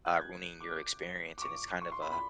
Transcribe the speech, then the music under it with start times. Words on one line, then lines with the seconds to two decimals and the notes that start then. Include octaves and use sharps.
uh ruining your experience, and it's kind of a
0.06 F#6
0.14 G6
0.21 G#6
0.60 D6
1.38 D6
1.42 C#6
1.81 C#6
1.92 C6
2.02 B5
2.12 B5